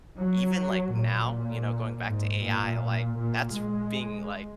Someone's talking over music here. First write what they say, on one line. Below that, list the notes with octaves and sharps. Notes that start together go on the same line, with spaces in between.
even, like, now, you know, going back to AI, like, that's being, like,
F#3
A#2
G#2
A#2
A#2
G#3